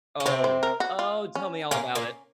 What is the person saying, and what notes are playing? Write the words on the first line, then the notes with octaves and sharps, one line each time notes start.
Oh. Oh, tell me all about it!
C#4
C3 C4 C#5
C5
A#4
F#4
F4
C#4
A#2 A#3 C#4
A#2 A#3